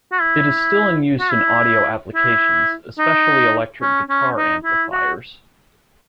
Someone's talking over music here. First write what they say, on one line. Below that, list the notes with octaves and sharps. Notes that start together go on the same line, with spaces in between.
It is still in use in audio applications, especially electric guitar amplifiers.
F#4
E4
F#4
E4
E4
D#4
C#4
C#4
D#4
E4
F#4